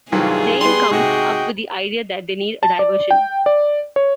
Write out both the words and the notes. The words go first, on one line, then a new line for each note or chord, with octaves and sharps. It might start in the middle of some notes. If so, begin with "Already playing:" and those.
Jayne comes up with the idea that they need a diversion.
C2 G2 D#3 F#3 A3 F4 G#4
G3 B3 C6
G#2 C3 F#4 D#5 G5 C#6
A5
D5
G5
D5
C#5